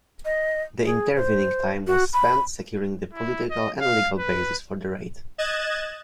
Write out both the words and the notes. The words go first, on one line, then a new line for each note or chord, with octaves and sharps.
The intervening time was spent securing the political and legal basis for the raid.
D#5
G#4
C5
F#4
B5
E4
D#5
F5
B4
D#5 F#6 G#6 A6 E7